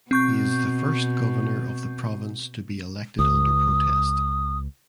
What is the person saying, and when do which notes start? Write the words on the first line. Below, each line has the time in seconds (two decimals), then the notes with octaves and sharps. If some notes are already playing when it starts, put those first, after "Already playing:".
He is the first Governor of the province to be elected under protest.
0.11 B2 C4 C#6 G6
3.19 C#2 D#6